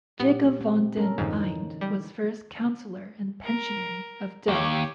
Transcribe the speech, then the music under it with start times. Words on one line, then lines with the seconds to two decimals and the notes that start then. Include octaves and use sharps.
Jacob van den Eynde was first Councilor and Pensionary of Delft.
0.20 A#2 B3 G4
0.61 C4
0.97 C#4 A4 A#4
1.18 F2 G#2 D3 E3 D#4
1.81 G3
3.45 A#4
4.48 D#2 G4 C#5